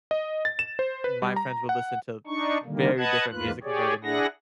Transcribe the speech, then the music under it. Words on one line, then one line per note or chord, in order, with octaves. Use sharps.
my friends would listen to very different music compared to me.
D#5
A6
E7
C5
B4
G3
A#5
F#5
D4 D#4 C#6
D3 D#3 G3 A#3
B4 D#5 F#5 A5 F#6 G#6
E2 G#2 A#3 F4 B4 F#6
G4 G#4 C#5 D5
D4 E4 G#4 F#5 A#6